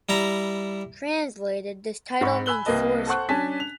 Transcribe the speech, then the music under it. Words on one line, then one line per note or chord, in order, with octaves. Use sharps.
Translated, this title means Forest Queen.
G3 E4 A#5
G#2 F#5 B5 C#6
G#5 B5 E6 F#6 F#7 G7
C2 A#3 B4 D#5 A5
A4 C5 F#5 C#6 F#6
C#4 D4 G#5 A5 B6
F7